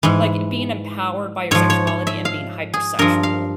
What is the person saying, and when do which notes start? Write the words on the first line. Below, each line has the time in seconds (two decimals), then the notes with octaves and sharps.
like, being empowered by your sexuality and being hypersexual
0.03 G#2 E3
1.51 G#2 F3 C#5
1.70 C#5
1.87 C#5
2.07 E5
2.25 F5
2.74 G#4
2.99 G2 F3 A#4
3.23 F5